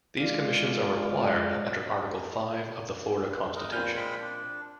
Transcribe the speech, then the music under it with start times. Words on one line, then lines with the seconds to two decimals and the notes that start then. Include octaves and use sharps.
These commissions are required under Article Five of the Florida Constitution.
0.19 G#3 F4 D5 F5
3.56 D#4 A#4
3.72 A#2 C4 B4 G#5 F6 G6
3.96 G#3 G5 B5
4.21 D4